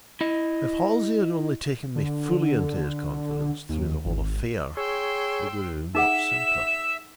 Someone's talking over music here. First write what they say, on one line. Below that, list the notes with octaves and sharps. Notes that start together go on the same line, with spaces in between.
If Halsey had only taken me fully into his confidence, through the whole affair, it would have been much simpler.
E4 D#5
D3
D#2
G#1
G#4 C#5 G5 C6 E6
D#4 G#4 E5 F#5 E6 E7